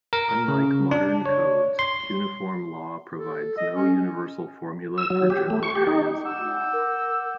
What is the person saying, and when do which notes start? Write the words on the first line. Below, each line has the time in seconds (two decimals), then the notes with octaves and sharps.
Unlike modern codes, Cuneiform law provides no universal formula for general areas of law.
0.13 A#4
0.48 C#3
0.91 D4
1.26 C#5
1.79 C6
3.15 A4
3.57 D#5
3.75 C#4
4.98 E6
5.10 F#3
5.30 G4
5.50 A3
5.63 C#6
5.75 G4
5.87 D#4
6.25 F#5 D6 E6 G6
6.73 A#4